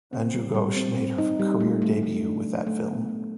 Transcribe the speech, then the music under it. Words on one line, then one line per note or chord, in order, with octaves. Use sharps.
Anju Ghosh made her career debut with that film.
C4
G3
G3
C4
C4
D#4
G3
A3
A3
A3
D4
F#3
A3
B3
B3